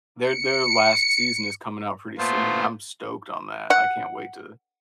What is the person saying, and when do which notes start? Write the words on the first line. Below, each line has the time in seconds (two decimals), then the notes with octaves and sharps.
their their last season is coming out pretty soon. I'm stoked on that. I can't wait to
0.20 C#7
2.18 A#2 A3 B3 F4 C5
3.70 F#5